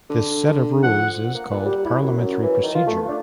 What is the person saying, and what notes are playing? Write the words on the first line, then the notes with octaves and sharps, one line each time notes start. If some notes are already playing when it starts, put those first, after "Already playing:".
This set of rules is called parliamentary procedure.
D3
F3 F#5
A#3
A#2
G3
E4
F#2
F#2
E3
D#3
F4
A3
D4